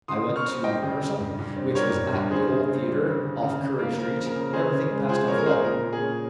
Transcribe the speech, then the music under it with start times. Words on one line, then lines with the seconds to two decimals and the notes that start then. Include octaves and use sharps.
I went to the rehearsal, which was at the Old Theatre, off Currie-street, and everything passed off well.
0.08 C#3 C6 D#6
0.27 C#3
0.36 C#6 F6
0.46 C4
0.64 G3 D#5 G5
0.82 C#3
1.01 C#3
1.20 G2
1.38 G2
1.56 C4
1.75 G3 A#4 C#5
1.94 G2
2.13 G2
2.31 C#3 G#4 C5
2.49 C#3
2.68 C4
2.86 G3
3.05 C#3
3.24 C#3
3.43 C#3
3.60 C#3
3.79 A#3
3.98 F3 A#4
4.17 C#3
4.26 A#4
4.36 C#3
4.53 C#4 G#4 C5
4.72 C#3
4.90 G#3
5.09 F3 G#4 C5
5.27 C#4 A#4 C#5
5.38 A#4
5.46 C#3 G#4 C5
5.64 A#2 A#4
5.83 A#2
5.93 G#4
6.01 C#4